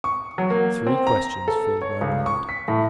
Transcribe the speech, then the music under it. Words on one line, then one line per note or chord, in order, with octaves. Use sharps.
Three questions filled my mind.
C#6
F#3
A#3
C4
A#5
A4
C#5
C#2
C#6
B6
A2